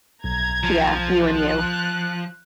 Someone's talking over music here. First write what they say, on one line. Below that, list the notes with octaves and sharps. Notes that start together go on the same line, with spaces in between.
Yeah, you and you.
B1 A#5 G#6
F3
F#6